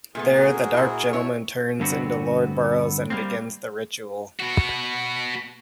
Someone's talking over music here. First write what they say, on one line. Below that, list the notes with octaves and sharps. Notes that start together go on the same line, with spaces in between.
There, The Dark Gentlemen turns into Lord Burroughs and begins the Ritual.
A#2 A3 B3 G#4
F#4 G#4 A#4
A#2 E4
E4 C#5
G2 D3 B3 C4 F#4
G3 A#3 C4
B2 F#4